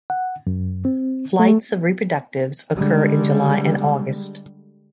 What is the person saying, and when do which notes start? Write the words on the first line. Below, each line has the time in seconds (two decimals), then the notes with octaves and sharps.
Flights of reproductives occur in July and August.
0.10 F#5
0.47 F#2
0.85 C4
1.40 A3
2.76 D3 G3 G#3